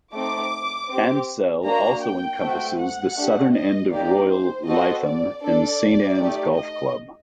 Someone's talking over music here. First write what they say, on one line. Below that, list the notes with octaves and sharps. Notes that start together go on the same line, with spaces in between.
Ansdell also encompasses the southern end of Royal Lytham and Saint Annes Golf Club.
A3 C4 D#4 D6
C4 G4
A#3 D4 F#4 A#5
G5
A3 C4 F#4
F#5
A3 D4 G4
D#5
A#3 D#4 G4 D5
C5
C4 F#4 A4 D#5
D5
D4 A4 D5
A3 D#4 G4
D#5